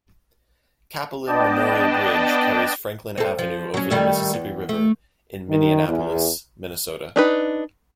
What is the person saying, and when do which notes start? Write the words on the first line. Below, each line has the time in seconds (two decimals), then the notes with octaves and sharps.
Cappelen Memorial Bridge, carries Franklin Avenue over the Mississippi River in Minneapolis, Minnesota.
1.26 B3 D4 D5 D#5 G5 A5
3.18 C4 A4
3.39 F3
3.74 F#3 C#4
3.90 D#3 G3 A3
4.33 E2
4.69 A3
5.49 D#3
5.88 E2
7.16 D4 D#4 B4